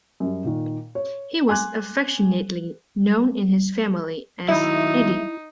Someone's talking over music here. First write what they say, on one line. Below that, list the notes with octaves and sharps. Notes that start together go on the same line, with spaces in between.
He was affectionately known in his family as 'Edi'.
F#2 G3
A#2 D#3
C#5
G#5 C6 D6 F#6 G#6
D#3 F#3 D#4 E4 E5